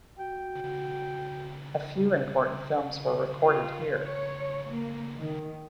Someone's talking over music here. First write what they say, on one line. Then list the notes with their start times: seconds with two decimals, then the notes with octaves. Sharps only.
A few important films were recorded here.
0.19 F#4 G5
3.40 F4
4.00 C#5
4.69 A#3
5.17 D#3